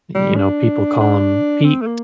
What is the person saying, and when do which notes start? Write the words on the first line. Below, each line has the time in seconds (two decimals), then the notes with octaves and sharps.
you know, people call 'em peaks,
0.15 G3
0.36 D4
1.00 D4
1.64 C4
1.82 A3
1.87 A#3